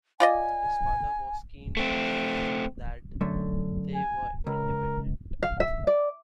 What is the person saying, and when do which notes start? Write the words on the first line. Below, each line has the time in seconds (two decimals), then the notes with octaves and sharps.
His father was keen to see that they were independent.
0.20 F4 D5 D#5 G#5
1.77 A3 C4
3.21 F#2 D3 A3
3.95 G#5
4.47 C#2 A#4
5.43 F5
5.60 E5
5.87 D5